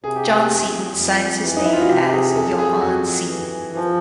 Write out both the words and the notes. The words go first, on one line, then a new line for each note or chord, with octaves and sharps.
John Seton signs his name as "Johan Seton".
C3 G#4
G4
G#4
F2
F2
E3
D#4
E4
F4
F#4
C3 G4
G#4
G#4
F2 A4
G#4
F2 F#4
E3
F3